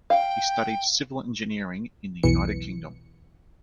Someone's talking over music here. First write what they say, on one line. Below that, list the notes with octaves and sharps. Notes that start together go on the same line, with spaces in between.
He studied civil engineering in the United Kingdom.
F5 G5
B1 E2 E3 C#7